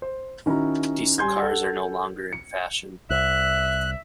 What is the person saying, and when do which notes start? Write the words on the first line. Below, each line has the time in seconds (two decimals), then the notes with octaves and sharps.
Diesel cars are no longer in fashion.
0.02 C5
0.46 D#3 C#4 E4 F#4 A#5
1.18 G3 G#5 C6 G6 G#6
1.39 A4 F#5
2.33 C#7
3.10 C2 E5 F#6